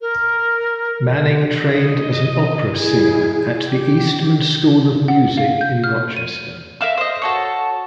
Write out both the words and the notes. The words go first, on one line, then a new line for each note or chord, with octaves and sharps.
Manning trained as an opera singer at the Eastman School of Music in Rochester.
A#4
D#5
E4 G#4
G4
F#5
F5
G6
F6
D#7
A#4 E5 F5 E6
C5 D#5
F#4 A4 C#5